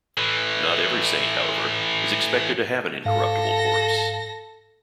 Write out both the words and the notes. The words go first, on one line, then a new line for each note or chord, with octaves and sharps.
Not every saint, however, is expected to have an incorruptible corpse.
A2 E3
G#2 A4 F5 A#6